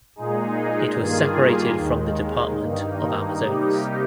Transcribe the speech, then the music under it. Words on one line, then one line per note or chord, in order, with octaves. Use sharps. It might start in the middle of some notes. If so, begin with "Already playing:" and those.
It was separated from the Department of Amazonas.
A#2 G#3 D#4 G#4
G2 D#3 A#3 F4 G#4
D#2 D#3 G#3
G2 D#3 A#3 D#4
C3 G3 A#3 D#4 G4